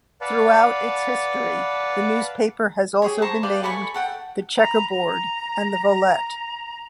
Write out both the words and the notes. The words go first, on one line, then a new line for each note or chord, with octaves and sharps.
Throughout its history, the newspaper has also been named The Checkerboard and The Volette.
B4 D5 F5 F#5 A5
G4 G#4 C#5
C5 A5 A#5 C#6
G4 B4 D5 F5
A4 G#5 B5 C#6
A4 F#5 G5
A#5 B5
A#5